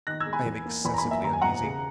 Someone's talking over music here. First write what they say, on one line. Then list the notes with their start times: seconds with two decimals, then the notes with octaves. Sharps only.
I am excessively uneasy.
0.07 D#3 F#6 A#6
0.20 E6 G#6
0.26 G#3
0.33 G#5 B5
0.46 E2
0.66 A#3
0.85 E2 G#5 B5
0.94 A#5
0.98 G#5 B5
1.05 A#3
1.11 E5 G#5
1.24 D#2 A#5
1.33 G#5
1.42 E1 F#5 A#5
1.63 C#3